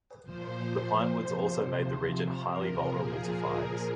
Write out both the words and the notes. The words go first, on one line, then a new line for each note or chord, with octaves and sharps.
The pine woods also made the region highly vulnerable to fires.
A#2 F3 C5
C3 F3 C5
C5
C3 F3
A#4
A#2 F3 G#4
A#4